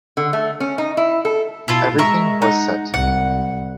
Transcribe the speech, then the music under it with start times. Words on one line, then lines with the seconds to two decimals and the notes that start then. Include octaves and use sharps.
Everything was set.
0.17 D3
0.33 A3
0.60 C#4
0.78 D#4
0.97 E4
1.25 A4
1.68 B2 E4 F4 A4
1.98 G#3 A#4 E5 C#6
2.42 D#4 F#5
2.94 C2 F#5